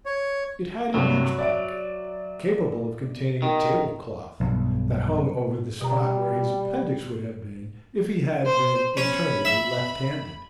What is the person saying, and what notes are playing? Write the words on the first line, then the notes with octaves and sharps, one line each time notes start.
It had a huge pocket, capable of containing a tablecloth, that hung over the spot where his appendix would have been if he had been internally left-handed.
C#5
G2 C3 F#3
D5 E5 D7
D#3
B1 G2 B2
B2 G3 A#5
C5
C#4 B5
E5